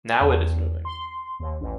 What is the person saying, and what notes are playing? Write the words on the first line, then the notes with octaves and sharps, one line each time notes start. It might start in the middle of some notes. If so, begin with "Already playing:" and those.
Now it is moving.
E2
C6
D#2
A1